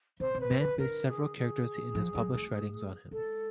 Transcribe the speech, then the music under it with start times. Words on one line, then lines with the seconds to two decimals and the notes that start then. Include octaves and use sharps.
Mann based several characters in his published writings on him.
0.20 C3 C5
0.35 C3
0.40 B4
0.50 C3
0.59 C#3 B4
0.79 D3 A#4
1.09 G#4
1.37 G#4
1.95 F3
2.15 F#3
2.34 A3
3.11 G#3 A4